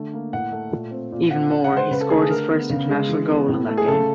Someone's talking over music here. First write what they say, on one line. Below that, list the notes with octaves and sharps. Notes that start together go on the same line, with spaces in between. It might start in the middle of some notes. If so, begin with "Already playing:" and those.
Even more, he scored his first international goal in that game.
Already playing: D3 A3
A#3
A2 F#5
A3
A#2
C4
A#2
C4 F#5
D3 F#5
F#5
G#3
C5
C#3 B4
A4
A3 G#4
G#4
D3 A#4
B3
C#3
G#3
E3
B3
A2
A3
G#4
C#3 A4